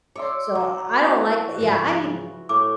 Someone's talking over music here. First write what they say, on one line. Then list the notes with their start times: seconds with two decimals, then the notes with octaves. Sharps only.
So I don't like tha yeah, I
0.16 C#5 D5 E5 C6
0.55 D#3 F#3
1.05 E3 F#4
1.58 G#2 C#3 F3
2.49 A2 A#4 D6